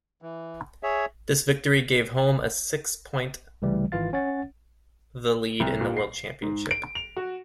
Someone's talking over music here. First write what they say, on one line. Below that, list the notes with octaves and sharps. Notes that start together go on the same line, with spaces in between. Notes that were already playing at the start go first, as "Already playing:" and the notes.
This victory gave Hulme a six-point the lead in the World Championship.
E3
G#4 C#5 E5
C2 C#3 E3 G3 A3
G#1 E3 F4 F5 A6
C#4 C#5 F#5 A6
C2
A#2
C7
G#2
D7
F7
F#4